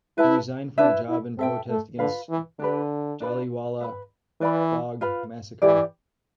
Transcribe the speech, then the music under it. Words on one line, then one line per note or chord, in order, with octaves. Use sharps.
He resigned from the job in protest against Jallianwala Bagh massacre.
E4 B4 E5 A5
D4 E4 B4 E5
E4
C4 A4 E5 G5
A3
D3 F4 B4 F5
E3
D3 D4 G4 B4
D4 F4 B4
B4 E5 B5
E3 B4 D5 F5 B5
F4 B4 F5 B5
E3 E4 G4 D5